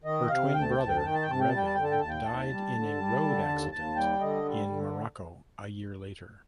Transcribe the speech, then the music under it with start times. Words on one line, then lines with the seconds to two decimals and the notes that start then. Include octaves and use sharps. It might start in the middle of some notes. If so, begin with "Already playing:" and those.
Her twin brother, Greville, died in a road accident in Morocco a year later.
0.04 D#3 D#5
0.29 C3 F5
0.53 D2 G5
0.62 A5
0.71 G5
0.78 D2 A5
0.88 G5
0.97 A5
1.02 D#3 G5
1.15 A5
1.22 G5
1.28 C3 A5
1.40 G5
1.49 G3 A5
1.57 G5
1.66 A5
1.75 D3 G5
1.84 A5
1.91 G5
2.00 D#2 A5
2.09 G5
2.25 D#2 A5
2.50 G3
2.74 D3
2.98 G3
3.23 D3
3.48 D#2
3.71 D#2 A5
3.96 G3 G5
4.20 D3 D#5
4.45 G3
4.69 D3